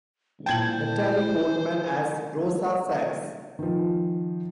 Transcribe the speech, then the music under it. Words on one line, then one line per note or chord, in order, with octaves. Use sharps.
Natalie Portman as Rosa Saks.
A#2 E4 C5 G5 A5 G#6 F#7
D#3 F3